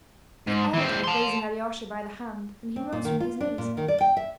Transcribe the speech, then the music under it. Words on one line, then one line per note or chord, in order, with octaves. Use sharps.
The elder raised Alyosha by the hand and he rose from his knees.
G#2
E3 C4
A5 C6
C4
A#2
D#3
F4
D4
A#2
D#3
D5
G5
E5